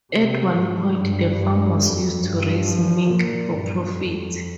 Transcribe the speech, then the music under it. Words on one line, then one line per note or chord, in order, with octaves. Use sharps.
At one point, the farm was used to raise mink for profit.
C3
G#2
G2
G2
F2
G2
F3
A#2
G2
F2